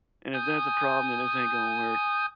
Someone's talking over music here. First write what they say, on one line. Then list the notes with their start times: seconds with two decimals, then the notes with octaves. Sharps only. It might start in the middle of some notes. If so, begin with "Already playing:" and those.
and if that's a problem, then this ain't gonna work.
0.33 G#5 D#6 G6